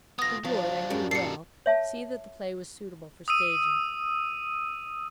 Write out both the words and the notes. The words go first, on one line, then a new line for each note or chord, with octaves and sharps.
He would, I knew well, see that the play was suitable for staging.
B3 F4 D#6 A#6
F3 F#3 D4
F#2 G3
A#2 D#4 A4 C7 C#7
C#5 E5 A5
D#6 E6 D#7